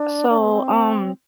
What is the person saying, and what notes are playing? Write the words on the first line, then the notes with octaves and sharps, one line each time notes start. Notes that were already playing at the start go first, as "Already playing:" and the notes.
so, um,
Already playing: D4
D4
C4
B3
C4